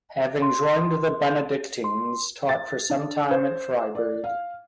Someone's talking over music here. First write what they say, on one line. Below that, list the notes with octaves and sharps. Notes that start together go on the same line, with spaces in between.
Having joined the Benedictines, taught for some time at Freiburg.
C6
C6
A6
D4
C5
D5
F5